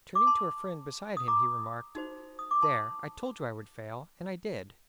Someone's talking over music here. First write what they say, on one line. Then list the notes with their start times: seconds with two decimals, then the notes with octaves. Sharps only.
Turning to a friend beside him he remarked, "There, I told you I would fail, and I did."
0.15 D6
0.27 A5 C6
1.17 D#6
1.28 A#5 D6
1.95 D#4 F#4 C5
2.39 D#6
2.51 D6
2.62 A5 C6